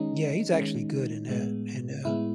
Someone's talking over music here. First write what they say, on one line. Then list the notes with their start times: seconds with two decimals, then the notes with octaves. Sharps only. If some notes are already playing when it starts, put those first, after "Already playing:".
Yeah, he's actually good in that and, uh
Already playing: D#3 G#3 C#4 D#4
0.53 D#3 G#3 C#4
1.29 A2 G#3 B3
2.05 A2 G#3 B3 E4